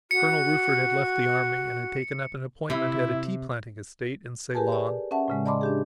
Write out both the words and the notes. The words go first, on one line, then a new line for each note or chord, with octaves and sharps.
Colonel Rufford had left the army and had taken up an appointment at a tea-planting estate in Ceylon.
F#4 C#7
C3 E4
G4 G#4 A#4 B4 G#5 A5
D5
C#4 E5 F#5 A5
A2 C#3 G#3
D5 D#5 A5 B5 C6 D6
D4 G4 G#4